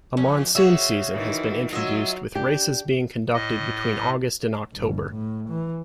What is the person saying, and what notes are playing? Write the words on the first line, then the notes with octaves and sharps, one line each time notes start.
A monsoon season has been introduced with races being conducted between August and October.
F2 C#4
C#3 A#3 F#4 C#5 E5
D#3 E3
F#3 F4 D#5 E5
D4 G4
A2 D#5
G1
A2
E3